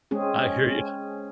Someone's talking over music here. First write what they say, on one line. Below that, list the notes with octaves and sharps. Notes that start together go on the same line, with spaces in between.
I hear ya.
G#3 C4 C#4 G#4